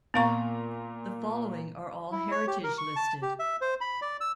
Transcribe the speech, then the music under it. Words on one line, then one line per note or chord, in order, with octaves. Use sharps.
The following are all heritage-listed.
A#2 B3 F5 A#5 C#6
E4
C#5
G4
A#4
C#6
A5
G4
E5
C5
B5
D5
E6